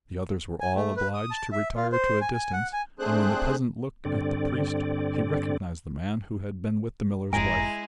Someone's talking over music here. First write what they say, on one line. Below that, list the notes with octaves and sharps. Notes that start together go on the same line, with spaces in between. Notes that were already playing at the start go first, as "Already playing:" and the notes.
The others were all obliged to retire to a distance, and when the peasant looked at the priest, he recognized the man who had been with the miller's wife.
G#5
A3
B4
D#6
A5
E5
F4
C5
G#5
G#5
F#5
G#5
A3 C4 D4 G#4 C5 F#6
G2 D3 C4 D5
F1 G#2 G#3 E4 G#5 A#5